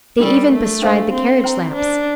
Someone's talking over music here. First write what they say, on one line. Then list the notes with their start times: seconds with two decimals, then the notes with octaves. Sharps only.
They even bestride the carriage lamps.
0.20 G3 D4 G4 A#4
0.51 A3
0.82 D4 A4 C5 F5
1.13 C4
1.44 C5 G5 A#5
1.74 D4